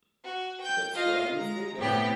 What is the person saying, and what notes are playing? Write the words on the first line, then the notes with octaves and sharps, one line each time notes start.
That's what I'm afraid of.
F#4
G5 G6
F4 D#5 F5
G#3 A#5
A2 C3 B3 G4 G5